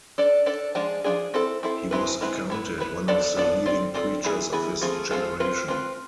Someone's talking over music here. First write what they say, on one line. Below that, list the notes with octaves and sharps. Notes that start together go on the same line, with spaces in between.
He was accounted one of the leading preachers of his generation.
D4 A4 D5
D4 A4 D5
F3 G#3 D4 G#4
F3 G#3 D4 G#4
C4 E4 A4
C4 E4 A4
G#3 C4 E4 B4
G#3 C4 E4 B4
B3 E4 B4
B3 E4 B4
F3 B3 D4 A4 D5
F3 B3 D4 A4 D5
C4 F4 A4 D5
C4 F4 A4 D5
E3 B3 E4 G#4
E3 B3 E4 G#4
F3 A3 C4 F4 G#4
F3 A3 C4 F4 G#4
C4 F4 B4
C4 F4 B4